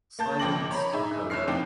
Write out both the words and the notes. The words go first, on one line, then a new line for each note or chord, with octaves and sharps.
Silence took over.
A#3 A5 G6
G#1 F3 G5 D6 A#6 F#7
C#5 A#5 B5
D#4 G#4 E5
F#1 E4 C#5 F6 C7
F#1 C3 F3 D#4 G5 D6